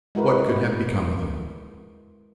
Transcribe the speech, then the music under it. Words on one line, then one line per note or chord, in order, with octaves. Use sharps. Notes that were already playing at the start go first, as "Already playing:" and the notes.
"What could have become of it?"
G#3 E4 F#4 A#4 B4